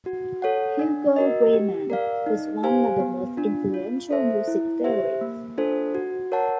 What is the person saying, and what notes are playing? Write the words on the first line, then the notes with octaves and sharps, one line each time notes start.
Hugo. Riemann was one of the most influential music theorists.
F#4
A4 C#5 F#5
D4
F#4 A#4 D#5
G4
A#4 D5 F5
D#4
G4 C5 F5 G#5
B3
D4 F4
F4
A4 C5 E5
E4
G4 C5 E5
A#3
D4 F4 A4 C5
F#4
A#4 C#5 F#5 A5